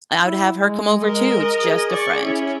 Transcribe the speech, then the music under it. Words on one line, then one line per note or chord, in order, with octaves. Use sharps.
I'd have her come over, too, it's just a friend."
E4
G#3
A#4 D#5
G#4
D5 C#6
C#4 E4